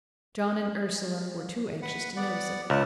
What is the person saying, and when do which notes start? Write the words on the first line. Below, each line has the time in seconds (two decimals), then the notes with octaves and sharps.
John and Ursula were too anxious to notice it.
1.82 B4 F#5
2.17 B3 D5 F#5
2.70 C#2 A5